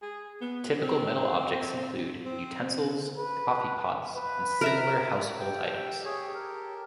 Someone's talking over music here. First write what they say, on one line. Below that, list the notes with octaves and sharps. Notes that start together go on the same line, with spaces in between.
Typical metal objects include utensils, coffee pots, and similar household items.
G#4
B3
C4
C4
B4
B4
A#4 E5 A#5
G4 A4 G5
G#4 C#5
A#4